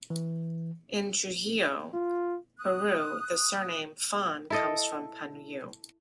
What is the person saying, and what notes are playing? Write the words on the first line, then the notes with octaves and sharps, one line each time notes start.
In Trujillo, Peru the surname Fhon comes from Panyu.
E3
F4
D#6 F#6
E4 A4 D#5